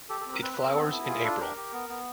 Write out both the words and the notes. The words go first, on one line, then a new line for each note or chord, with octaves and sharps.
It flowers in April.
G4 A4
A4
C4
A#4
C4 B4
B4
C4
A#4
B3 A4
E4 A4
A4
F4 G#4
D4 A4
G4 A#4
G4
B3
B3